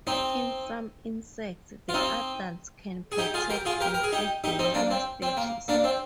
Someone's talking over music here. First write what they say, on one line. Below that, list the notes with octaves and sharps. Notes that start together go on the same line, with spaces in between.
In some insects, the adults can protect and feed the younger stages.
C4 D#4
F4
C4 D#4
G#4
D#4 G4
F4 G#4
G4 A#4
F4 G#4
G4 A#4
A#4
G#4
D#4 G4
D#4 G4
C4 D#4
A#3 D4
C4
C4
A#3
A#3 D4
C4